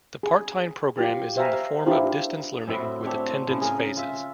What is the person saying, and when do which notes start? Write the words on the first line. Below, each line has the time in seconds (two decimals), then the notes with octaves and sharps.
The part-time program is in the form of distance learning with attendance phases.
0.23 G#4
0.97 F4 G4
1.36 G4 C5 E5 F5 G#5 A#5
1.86 D4 E4 F4 G4 A#4 C5
2.67 A2 C4 E4 F#4
3.05 C4 D4 C#5 E5
3.48 A2 C#3
3.61 G#4 A#4
3.97 F4 E5